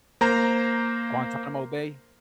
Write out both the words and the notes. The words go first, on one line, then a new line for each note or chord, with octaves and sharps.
Guantanamo Bay?
A#3 C5 A#5